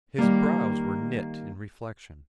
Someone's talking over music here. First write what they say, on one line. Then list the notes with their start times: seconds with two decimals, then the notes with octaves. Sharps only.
His brows were knit in reflection.
0.18 D#3 G3 A#3